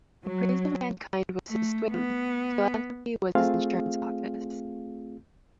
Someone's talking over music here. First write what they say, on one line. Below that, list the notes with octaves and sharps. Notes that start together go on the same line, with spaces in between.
The praise of mankind was his swing; philanthropy was his insurance office.
F#3
A3
B3
A3 C4 F4 G#4 F5